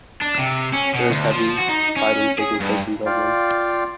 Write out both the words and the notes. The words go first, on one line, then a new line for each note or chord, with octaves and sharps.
There is heavy fighting taking place in Dublin.
D4
C3
C#4
B2
D2
F3
F#4
D#4
C#4
G#4
G2
F4 D5 F5 G5